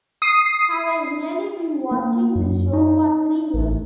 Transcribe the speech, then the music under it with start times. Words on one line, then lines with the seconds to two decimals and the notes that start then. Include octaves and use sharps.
Have I really been watching this show for three years?
0.22 D#6 C7
1.91 A#3
2.36 F#2
2.73 D#4
3.54 A1